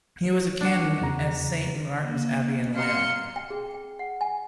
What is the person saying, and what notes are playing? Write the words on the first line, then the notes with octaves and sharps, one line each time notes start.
He was a canon at Saint Martin's Abbey in Laon.
D4 F#4
E2 C#3 A#5
A#3
C4 G4 F5 A#5 C6 C#7
G5
G#4
G5
F#5
G#5